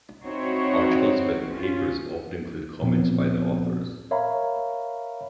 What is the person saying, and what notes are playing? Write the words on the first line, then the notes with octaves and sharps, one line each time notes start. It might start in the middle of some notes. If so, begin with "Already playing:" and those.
Articles about the papers often include comments by the authors.
C4 D#4 E4 F#4 C5 C#5
C#4 F4
A#2 F3 B3 C4
A#4 C#5 E5 F5 A#5 B5